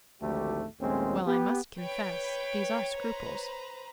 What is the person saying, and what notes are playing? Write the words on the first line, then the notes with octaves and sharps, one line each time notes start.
"Well, I must confess, these are scruples."
G#1 D2 G#2 F3 A3 G4
A#1 D#2 G#3 A3 C4 C#4
B3 G4
B4 C#5 G5
B4 C5 A#5